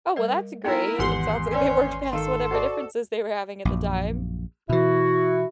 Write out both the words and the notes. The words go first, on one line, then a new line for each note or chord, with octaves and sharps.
Oh well, that's great. It sounds like they worked past whatever differences they were having at the time.
G3 A#4 D#5
B3 D#4 E4 A4 A#4 G5
G#1 E2 G4 F#5 C6
C#4 B4 D5
D#3 A4 F5
F#4 C5 D5 D#5 A5
A#1 F#2
B2 E3 E4 F#4